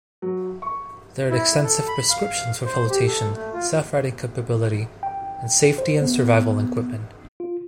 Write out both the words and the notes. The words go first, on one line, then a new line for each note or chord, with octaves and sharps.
There are extensive prescriptions for flotation, self-righting capability, and safety and survival equipment.
F#3
C#6
E4
A4
B5
F5
C5
G4
A4
A3
F4
G5
C5
B3
F4